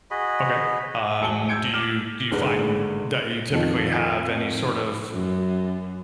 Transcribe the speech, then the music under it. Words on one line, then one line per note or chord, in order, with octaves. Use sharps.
Okay, um, do you do you find that you typically have any sort of
F#4 G#4 D#5 B5
E1 G#5 A5 C#7 F#7 G7
E6 G6 G#6 C#7 D7
D6 F6 E7
G#1 D3 G#3 B4
F2 D#3 F3
F#2